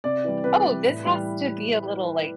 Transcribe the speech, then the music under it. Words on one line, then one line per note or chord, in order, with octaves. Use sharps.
"Oh, this has to be a little, like"
C3 D5
E3 G3
C3 B4
E3 G3
A2
E3 G3